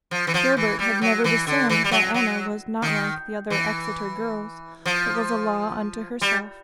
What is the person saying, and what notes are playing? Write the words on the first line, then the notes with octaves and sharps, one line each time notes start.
Gilbert had never discerned that Anna was not like the other Exeter girls, but was a law unto herself.
F3
E3
F3
E3
G3
F#3
E3
D3
E3
G3
F#3
F#3
D#3
E3
F3
G3